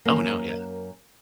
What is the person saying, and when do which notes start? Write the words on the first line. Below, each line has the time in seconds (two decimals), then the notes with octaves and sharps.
Oh no, yeah.
0.05 F#2 A#3